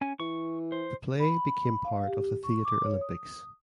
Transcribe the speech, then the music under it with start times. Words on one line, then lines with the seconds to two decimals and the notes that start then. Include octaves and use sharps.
The play became part of the Theatre Olympics.
0.01 C#4 G#5
0.20 E3 C#6
0.72 C5
1.20 B5
1.84 F5
2.07 G4
2.44 C#6
2.65 D6
2.84 C#5
3.01 D#6